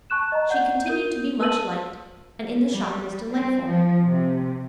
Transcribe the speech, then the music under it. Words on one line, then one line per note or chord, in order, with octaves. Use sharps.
She continued to be much liked, and in the shop was delightful.
A5 C#6 F#6 E7
D#5 A#5
D5 F#5 G6
A#4 G6 D#7
A#4 B4 A5 E6 D#7 F#7
G3
C4
F3
C3